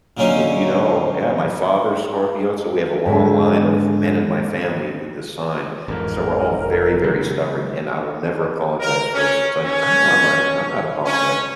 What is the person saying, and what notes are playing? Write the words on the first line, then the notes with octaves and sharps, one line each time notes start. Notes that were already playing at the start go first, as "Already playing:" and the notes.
You you know, yeah, my father's Scorpio, so we have a long line of men in my family with this sign so we're all very, very stubborn, and I will never apologize first it's like, "I know I'm right, I'm not apologizing."
A#2 D3 F#3 C#4 D#4
G#2 D3
A1 F2 G#2 A#4
F1
C#3 F#3 G#3
A#4
C#4
C#4
C#4